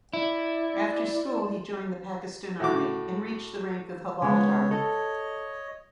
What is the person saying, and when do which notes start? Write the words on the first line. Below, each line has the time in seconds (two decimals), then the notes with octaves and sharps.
After school he joined the Pakistan Army, and reached the rank of Havaldar.
0.13 E4 D5
2.60 A2 F#4 D6
4.22 C#3 G#3 B3 C#5
4.71 A4 C#5 D#5